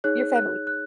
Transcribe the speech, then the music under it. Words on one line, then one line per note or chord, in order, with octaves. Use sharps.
your family.
D#4 G#4 C#5 F#6
F#6
F#6